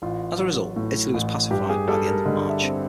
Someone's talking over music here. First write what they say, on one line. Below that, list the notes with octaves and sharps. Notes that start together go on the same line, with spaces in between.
As a result, Italy was pacified by the end of March.
A1 F4
F#3
A2
A1
G2 G4
G#4
G3 A4
A#4
D3 D#5
E5
C4